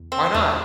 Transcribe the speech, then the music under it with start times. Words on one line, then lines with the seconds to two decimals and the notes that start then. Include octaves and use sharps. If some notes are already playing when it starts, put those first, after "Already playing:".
Why not?
Already playing: E2
0.12 C4
0.34 E2 D4